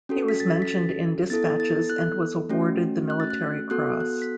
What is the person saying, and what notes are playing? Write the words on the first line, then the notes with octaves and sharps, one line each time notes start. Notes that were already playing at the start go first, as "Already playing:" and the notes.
He was mentioned in dispatches and was awarded the Military Cross.
C#4 F#4 A4
B6
A6
B6
A6
B3 E4 A4 A6
A6
F#6
A3 C#4 F#4
F#6
A6
F#6
B3 F#4 A4 F#6
F#6
B6